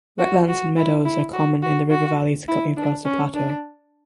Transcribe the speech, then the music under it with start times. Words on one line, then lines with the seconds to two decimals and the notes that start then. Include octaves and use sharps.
Wetlands and meadows are common in the river valleys cutting across the plateau.
0.19 F#4
0.48 F#4
0.77 E4
1.05 E4
1.33 F#4
1.63 F#4
1.91 F#4
2.48 E4
2.77 D4
3.05 C#4
3.34 D4